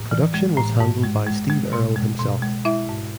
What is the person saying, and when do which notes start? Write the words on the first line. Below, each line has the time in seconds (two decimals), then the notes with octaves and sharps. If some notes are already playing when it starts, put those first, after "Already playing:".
Production was handled by Steve Earle himself.
Already playing: A2
0.11 E3
0.34 G#3
0.57 A2
0.80 G#2
1.04 G#3
1.27 G#3
1.50 G#3
1.73 B2
1.96 G#3
2.19 B2
2.42 G#3
2.65 G#3 E4 E5
2.89 G#2